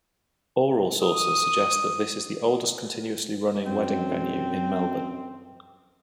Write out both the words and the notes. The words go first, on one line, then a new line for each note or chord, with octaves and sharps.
Oral sources suggest that this is the oldest continuously running wedding venue in Melbourne.
D#6
F#2 C4